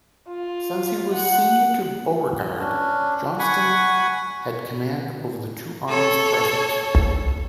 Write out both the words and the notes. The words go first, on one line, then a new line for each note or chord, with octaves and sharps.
Since he was senior to Beauregard, Johnston had command over the two armies present.
F4
F#5
C#4 D4
F#5 G#5 B5 C#6
A4 C#5